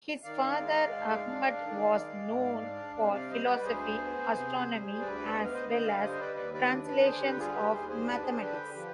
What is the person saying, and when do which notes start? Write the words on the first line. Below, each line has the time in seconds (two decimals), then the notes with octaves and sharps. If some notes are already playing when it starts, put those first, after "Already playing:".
His father Ahmad was known for philosophy, astronomy, as well as translations of mathematics.
0.24 D#3 D5 F5
0.59 G#3
0.92 G#2
1.27 D4
1.61 D#3
1.95 G#3
2.29 G#2
2.62 D4
2.96 C3 D5 F5
3.14 D5 F5
3.30 G3 C5 D#5
3.47 B4 D5
3.64 D2 G#4 C5
3.98 B3
4.32 C3
4.67 G3
5.00 D2 B4 D5
5.34 B3 D#5
5.44 F5
5.53 C5 D#5
5.68 D3 C5 D#5
5.85 D5 F5
6.02 G3 C5 D#5
6.20 B4 D5
6.36 D#2 B4 D5
6.54 B4 D5
6.71 D4
6.87 B4 D5
7.04 D3 G#4 C5
7.21 G4 B4
7.38 G3 F4 G#4
7.55 G4 B4
7.73 D#2 G#4 C5
7.89 G#4 C5
8.06 D4 B4 D5
8.23 G#4 C5
8.40 D3 G4 B4
8.75 F3 G4 B4